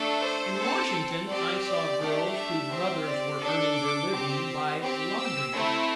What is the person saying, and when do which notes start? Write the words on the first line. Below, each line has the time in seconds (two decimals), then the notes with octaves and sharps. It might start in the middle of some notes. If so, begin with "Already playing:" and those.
In Washington I saw girls whose mothers were earning their living by laundrying.
Already playing: A3 D4 A4
0.22 C5
0.58 C4 A4
1.28 C4 G4 D5
1.63 D5
1.99 A3 D4 G4
2.35 E5
2.70 C4 G4
3.05 D5
3.40 D4 A4
3.75 D6
4.11 C4 G4
4.83 C4 G4
5.18 E6
5.53 A3 C4 E4